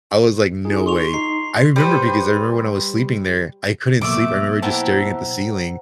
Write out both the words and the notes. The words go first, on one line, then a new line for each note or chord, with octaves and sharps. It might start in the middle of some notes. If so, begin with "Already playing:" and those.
I was like, "No way." I remember because I remember when I was sleeping there, I couldn't sleep. I remember just staring at the ceiling
D#4 F4 G#4
C6 C#6 F7
D#4 C7
G3 B4 C5
B2 F#3 A3 A#3 E5 D6
E4 G4 C5 F#5 A5 A#5